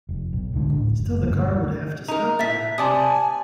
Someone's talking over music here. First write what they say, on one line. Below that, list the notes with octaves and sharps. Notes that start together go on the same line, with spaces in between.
Still the car would have to stop there.
F1
B1
D2 G#2 D3
A1
F#1
E1 D2 G2 A3
D#4 A#4 A#5
A2 E5 A6 B6
C3 D5 G#5 A5 C6 D6 D#6